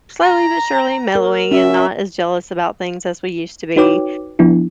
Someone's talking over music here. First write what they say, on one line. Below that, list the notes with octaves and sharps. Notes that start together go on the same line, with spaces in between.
slowly but surely mellowing and not as jealous about things as we used to be,
A#5
A#4
C#4 F#4 E5
D#4 F#4 B4 C#5 G5 D6
F3 B3 D4 E4